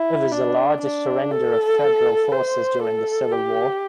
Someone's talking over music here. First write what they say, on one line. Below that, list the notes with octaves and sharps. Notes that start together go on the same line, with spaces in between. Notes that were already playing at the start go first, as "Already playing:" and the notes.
It was the largest surrender of Federal forces during the Civil War.
Already playing: E4
D4
D4
A4
C5
A4
G4